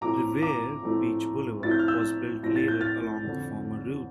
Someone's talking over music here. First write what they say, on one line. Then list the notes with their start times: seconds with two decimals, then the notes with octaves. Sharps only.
Revere Beach Boulevard was built later along the former route.
0.01 A2 F3 A3 C4 E4 A#5 D6
0.42 A#5 D6
0.82 A2 F3 A3 C4 E4
1.63 A2 F3 A3 C4 E4 A6
1.71 G6
1.79 F6
1.88 E6 G6
2.43 A2 F3 A3 C4 E4 A#6
2.56 A6
2.68 G6
2.81 F6 A6
3.24 F2 D3 G3